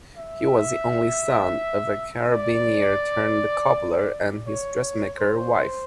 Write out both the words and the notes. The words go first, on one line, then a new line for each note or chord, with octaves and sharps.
He was the only son of a carabiniere turned cobbler and his dressmaker wife.
E5
D5
C#5
C5